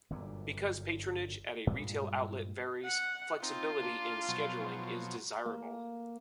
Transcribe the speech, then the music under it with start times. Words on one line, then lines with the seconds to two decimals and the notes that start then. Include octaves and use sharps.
Because patronage at a retail outlet varies, flexibility in scheduling is desirable.
0.10 G1 F#2 A#2 D3
1.67 G2 A#2 G3 G#3
2.85 F#5
3.43 C4 D#4 F4
3.82 A#3 D4
4.29 B2 F3 F#3
5.46 A#3